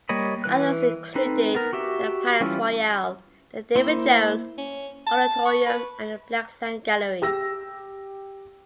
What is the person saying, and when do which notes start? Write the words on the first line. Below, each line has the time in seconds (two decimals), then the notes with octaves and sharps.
Others included the Palais Royale, the David Jones Auditorium and the Blaxland Galleries.
0.09 G3 A#3 C#5 D#5 B5
0.44 E3 B4 F#6
1.15 C4 D#4 A4 B4
1.55 B3 A#4
1.73 F#4 G4 E5
2.41 E3 G3 C#4 E4 F4
3.75 A#3 E4 C5 E5 C6
4.58 C#4
5.07 A5
5.46 C#6
5.66 B4
7.22 G4 E6 A#6